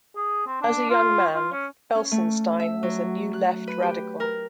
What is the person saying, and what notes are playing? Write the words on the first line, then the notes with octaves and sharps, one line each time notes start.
As a young man, Felsenstein was a New Left radical.
G#4
C4
D4
F4
F4
C#4
C#4
A3
E5
F#3
F#6
B4
G4
A#4